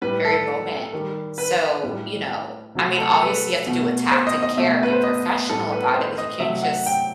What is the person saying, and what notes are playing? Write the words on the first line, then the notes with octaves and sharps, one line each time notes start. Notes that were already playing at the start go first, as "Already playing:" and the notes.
very moment. So, you know, I mean, obviously, you have to do it with tact and care and be professional about it, like, you can't just
A2 G3 B4
A4
D#3 G3
B4
A2 G3
C3 F#3 A3
A4
A4
B4
B2 A3
C5
D#5
D#5
B2 A3 E5
B4
C5
D#5
A2 G3 A4
B4
C5
D#5
C3 F#3 A3 E5
F#5
G5